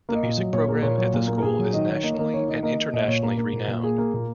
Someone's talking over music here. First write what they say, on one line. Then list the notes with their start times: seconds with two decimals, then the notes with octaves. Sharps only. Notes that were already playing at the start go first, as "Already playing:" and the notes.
The music program at the school is nationally and internationally renowned.
0.09 A#3
0.15 D#5
0.23 A#2
0.38 F#3
0.53 A#2 C#5
0.68 A#3 G#4
0.83 A#2 C#5
0.98 F#3 C#5
1.14 A#2
1.28 A#3
1.38 A#4
1.43 A#2 G#4
1.59 F#3
1.73 D#3 D#5
1.88 D#3 C#5
2.03 A#3 D#5
2.10 C#5
2.18 A#3 D#5
2.34 D#3 C#5
2.48 D#3 D#5
2.63 A#3 D#5
2.78 A#3
2.93 A#2 D#5
3.08 A#2 C#5
3.23 A#3 A#4
3.38 A#3
3.53 A#2
3.68 A#2
3.83 A#3 G#4
3.98 A#3
4.14 A#2